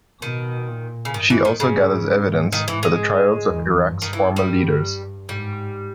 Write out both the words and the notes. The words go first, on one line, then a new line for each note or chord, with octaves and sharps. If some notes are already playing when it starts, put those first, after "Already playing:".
She also gathers evidence for the trials of Iraq's former leaders.
B2 D#3
A#2
C#3
G2 D#3
E3
D#3
G#2 C#3
D#3
E3
G#3
E2
G2
D#3
E3
G3
G#2 G3